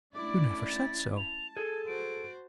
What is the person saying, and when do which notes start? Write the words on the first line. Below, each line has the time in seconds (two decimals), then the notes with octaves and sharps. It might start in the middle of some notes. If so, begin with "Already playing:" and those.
"You never said so."
0.15 A3 C#4 D4 E4 D5 D6
0.68 A6
1.17 A5 F7
1.57 G#4 A4 G#6
1.87 F#4 C5 D7